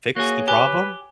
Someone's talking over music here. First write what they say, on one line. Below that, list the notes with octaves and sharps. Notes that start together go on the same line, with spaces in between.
Fix the problem?
A#3 F#4 G#4 C#5
G4 B4 G#5